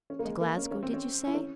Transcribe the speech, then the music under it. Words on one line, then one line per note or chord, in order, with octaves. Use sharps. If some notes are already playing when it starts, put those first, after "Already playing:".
To Glasgow, did you say?
C#4
A#3
G#3
A#3
C#4
C#4
C4
C#4
E4
C#4